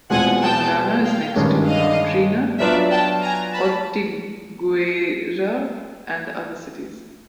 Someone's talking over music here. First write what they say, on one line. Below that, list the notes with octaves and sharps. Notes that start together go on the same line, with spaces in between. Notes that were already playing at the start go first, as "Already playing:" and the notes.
Tamarana is next to Londrina, Ortigueira and other cities.
E2 B2 G#3 C4 F4 F#5 G#5
G5 A5
F5 G5
G2 D#3 G#3 C#4
D#5 F5
F#3 B3 D4 F4 D5 E5
G5 A5
G#5 A#5
A5 B5